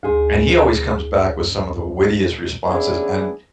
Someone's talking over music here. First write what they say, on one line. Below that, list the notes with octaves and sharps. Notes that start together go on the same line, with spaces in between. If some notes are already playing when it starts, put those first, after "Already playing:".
and he always comes back with some of the wittiest responses, and
D2 D#4 G#4 C6
E3 B3 C#4 D4 E4 G#4